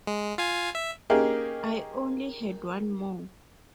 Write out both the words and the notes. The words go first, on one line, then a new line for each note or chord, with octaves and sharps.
I only had one more.
G#3
F4 F5 G#5
E5
A#3 C#4 D#4 G4 G#4 F5